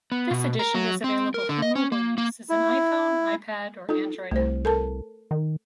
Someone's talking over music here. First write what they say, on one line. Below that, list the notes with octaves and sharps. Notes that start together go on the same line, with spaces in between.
This edition is available for mobile use as an iPhone, iPad, or Android app.
B3
B2
A#4
F#3
C4
A#4
D3
D#5
C#4
A#3
A#3
E4
D#4 F4 A4
C2 A3 C5
A4 A#4 A5
D#3